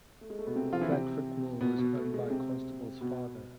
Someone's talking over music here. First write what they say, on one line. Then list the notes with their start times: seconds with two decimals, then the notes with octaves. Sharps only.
Flatford Mill was owned by Constable's father.
0.21 A3
0.30 G#3
0.39 A3
0.47 B2 B3
0.56 C3 C4
0.73 F3 F4
0.81 E3 E4
0.91 C3 C4
1.61 B2 B3
1.78 B2 B3
1.96 A3
2.14 G#3
2.30 C3 C4
3.01 B2 B3